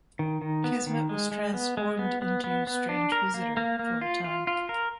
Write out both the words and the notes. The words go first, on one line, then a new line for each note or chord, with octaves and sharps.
Kismet was transformed into Strange Visitor for a time.
D#3
D#3
B3
D#3
G#3
G#3
B3
G#3
B3
B3
B3
B3
D4
A#4
A#3
A#3
A#3
F4
F4
F4
A#4